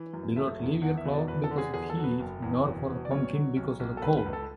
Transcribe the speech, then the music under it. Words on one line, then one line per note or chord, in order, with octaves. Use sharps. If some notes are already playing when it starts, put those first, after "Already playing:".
Do not leave your cloak because of heat, nor for the pumpkin because of the cold.
Already playing: E3
F#2
A3 E5
E2
E2 F#5
E5
B2
D5
E2 B4
A4
D3
G#4
E2 G#4
A4
F#3
B4
F#1
E2
B2
B2
D5
B1 C#5
F#3
B1
B1
A4
C#2 B4
B4
C#2
A4